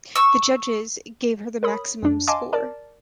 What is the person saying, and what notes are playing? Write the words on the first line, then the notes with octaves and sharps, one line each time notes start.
The judges gave her the maximum score.
C#6 E6
A#4 C#5 B5 D#6
F#2 D4
D#5 F5 G#5 A5 C6 D6
A#4 D5 A5